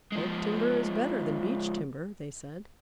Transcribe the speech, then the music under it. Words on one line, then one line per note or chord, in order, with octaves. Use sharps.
"Oak timber is better than Beech timber," they said.
F3 G#3